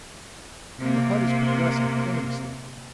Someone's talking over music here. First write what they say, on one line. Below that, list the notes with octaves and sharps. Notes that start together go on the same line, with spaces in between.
The hut is progressing famously.
C3 A#3